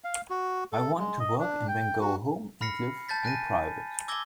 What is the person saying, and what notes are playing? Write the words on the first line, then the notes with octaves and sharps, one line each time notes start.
I want to work and then go home and live in private.
F5
F#4
A4
G#3
D#5
D4
G5
F#4
B5 F6 A#6 C7 C#7
A5 G6 A6 B6
G#5 F#6 A#6 D#7
D6 E6 G#6 A#6 G7